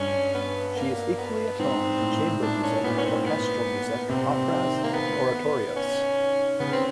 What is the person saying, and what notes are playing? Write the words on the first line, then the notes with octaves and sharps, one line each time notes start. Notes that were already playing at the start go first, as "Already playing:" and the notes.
She is equally at home in chamber music, orchestral music, operas, and oratorios.
Already playing: G2 C#4
B3
A#3
B3
G#2 C4
A2
A#2 D4
C#4
A#2 B3
C#4
C4
B3
C3 C4
D#3
A#3
B3
B3
C#4
C#3 B3
C4